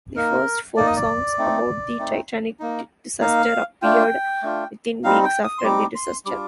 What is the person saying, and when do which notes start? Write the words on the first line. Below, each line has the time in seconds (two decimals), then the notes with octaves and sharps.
The first folk songs about the "Titanic" disaster appeared within weeks after the disaster.
0.16 A#3 D#4 A#4
0.77 A#3 D#4 D5
0.87 D#5
0.96 D5
1.38 A3 C4 D#4
1.99 A3 C4 D#4
2.60 A#3 D#4
3.21 A#3 D#4 F5
3.82 A3 D4 F4 G5
4.43 A3 D4 F4
5.04 G3 C4 D#4 F5
5.24 G5
5.44 D#6
5.58 C6
5.64 G3 C4 D#4 D6
5.95 C6
6.26 G3 D4 F4 D6